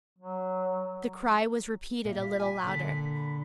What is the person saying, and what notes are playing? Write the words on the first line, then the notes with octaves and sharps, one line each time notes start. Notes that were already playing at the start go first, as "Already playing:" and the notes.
The cry was repeated a little louder.
F#3
A#2 E5
F4 B6
G#5
A#2 D3
B5